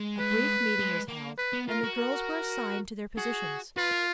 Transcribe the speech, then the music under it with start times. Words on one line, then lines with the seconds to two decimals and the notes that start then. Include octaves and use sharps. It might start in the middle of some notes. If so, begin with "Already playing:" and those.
A brief meeting was held, and the girls were assigned to their positions.
Already playing: G#3
0.20 B4
0.79 G#3
1.08 A#3
1.38 B4
1.53 B3
1.68 F4 A#4
1.84 F#4
1.98 A#4
3.17 F#4 G#4
3.77 F4 B4
3.92 A#4